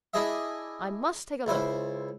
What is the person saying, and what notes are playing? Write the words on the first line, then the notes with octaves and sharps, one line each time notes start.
I must take a look.
D4 E4 G#4 D#5 E5
C#2 E4 C5